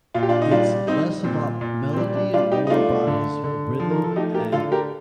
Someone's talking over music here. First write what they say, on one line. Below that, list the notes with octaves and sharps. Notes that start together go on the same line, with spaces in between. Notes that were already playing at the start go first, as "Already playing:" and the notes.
It's less about melody, and more about his rhythm, and
A#2 F4
G4
D4 F4
D#4
G3 D4 F4
G3 C4 D#4
A#2 C4
A#2
C4
G3 D4
D4
G3 D4 F4
D#4 G4
D#4
A3 D4 F4
D3
D3
F3
A#4
A4
A3 D#4 G4
G4 A#4
D3 F4 A4
G4 A#4